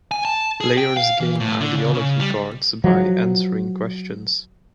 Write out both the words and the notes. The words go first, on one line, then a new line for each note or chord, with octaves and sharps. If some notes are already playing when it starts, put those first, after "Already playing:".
Players gain Ideology Cards by answering questions.
G#5
A5
G#4
G5
F5
E3
A2
D3
C#3
C#3
G3
F3 F#3